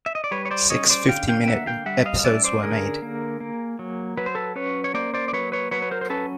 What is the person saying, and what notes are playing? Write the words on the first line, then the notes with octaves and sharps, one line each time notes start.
Six fifty-minute episodes were made.
E5
D#5
D5
G3 B4 C#5
C#5
C5 D5
C#4 C#5 D#5
C5 D5
D3 F5 G5
F5 G5
G5
A#3 E5 F#5
F5 G5
G3 E5 F#5
D#5 F5
F5
C#4 D5 E5
C5 D5
D3 G#4 A#4
A#3
A#3
F#3
F#3 B4
C5
A4 B4
C#4 B4 C#5
C#5
A#3 C5 D5
C5 D5
D5
F#3 B4 C#5
B4 C#5
F#3 B4 C#5
B4
A#4 C5
C5
C#4 A4 B4